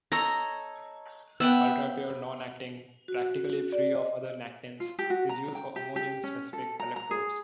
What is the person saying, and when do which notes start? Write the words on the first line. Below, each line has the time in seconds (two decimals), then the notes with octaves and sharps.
Ultrapure nonactin, practically free of other nactins, is used for ammonium-specific electrodes.
0.12 D#4 A4 C#5 A#5
1.40 B3 E5 F#5 G5
3.08 F#4
3.72 D5
3.96 D#5
4.80 F4
4.99 G4
5.10 F#4
5.29 A#5
5.55 G5
5.76 G4
5.96 G4
6.24 C#4
6.53 A4
6.80 A#5
6.96 A#5
7.11 G#4